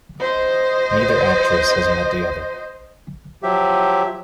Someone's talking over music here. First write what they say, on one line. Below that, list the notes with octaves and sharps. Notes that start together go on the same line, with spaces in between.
Neither actress has met the other.
C5 D#5
F3 F#3 G4 E5